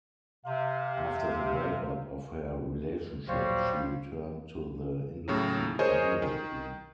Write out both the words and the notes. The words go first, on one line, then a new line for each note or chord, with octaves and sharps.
After the breakup of her relationship she returned to the industry immediately.
C3 F5
A#1 D#2 F#3 G3 F#4 C5 C#5 F5
A2 C#3 F#3
G#4 A#4 C5 C#5 D#5 G#5
D#3